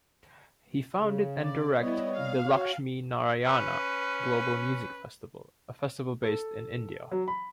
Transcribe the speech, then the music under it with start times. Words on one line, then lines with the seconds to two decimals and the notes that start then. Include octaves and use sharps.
He founded and directs the Lakshminarayana Global Music Festival, a festival based in India.
0.97 C#3
1.42 D5
1.79 G3 B3 E4 C#5 D#5
2.14 F5
2.46 F#4 C#5
3.46 C#4 B4
6.23 A4
7.12 F#3
7.28 B5